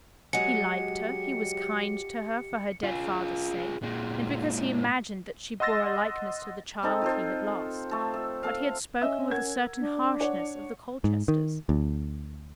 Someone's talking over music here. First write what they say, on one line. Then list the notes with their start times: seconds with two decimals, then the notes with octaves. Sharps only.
He liked her; he was kind to her for her dead father's sake and because he imagined that she bore a likeness to the child he had lost; but he had spoken with a certain harshness of the Colchesters.
0.33 F#3 G#3 G4 D#5 F#5 G#5 C#7
2.83 F4 G#4
3.83 A#2 G#3
5.60 D#5 F#5 C6 E6 A6 A#6
6.83 C4 D#4 A4
7.01 F4 A4 C5
7.91 A3 A4
8.14 E5
8.43 A4 F5
9.02 C#4 D#5 E5 E6
9.30 A#4 F#5 G#6
9.79 D4
10.20 C#5 D5 F#5
11.04 G#2
11.28 D#3
11.69 D2